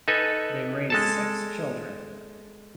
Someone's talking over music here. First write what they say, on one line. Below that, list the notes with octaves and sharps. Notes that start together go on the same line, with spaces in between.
They raised six children.
D#4 A4 B4 G#5
G#3 A4 A5